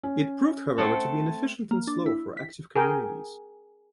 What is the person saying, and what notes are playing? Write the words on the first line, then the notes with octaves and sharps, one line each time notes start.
It proved, however, to be inefficient and slow for active communities.
C#4
A3 C4 A4 F#5
A#3
D4
E4
B6
G#4 A#4 G5